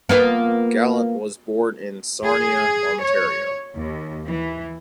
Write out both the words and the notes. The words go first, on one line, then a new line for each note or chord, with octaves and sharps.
Gallant was born in Sarnia, Ontario.
A#3 B3 F4
G#4
C#5
D#2
E3